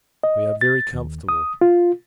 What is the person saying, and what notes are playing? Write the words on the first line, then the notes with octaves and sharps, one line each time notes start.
We are very comfortable.
D#5
A6
D#2
D#6
F4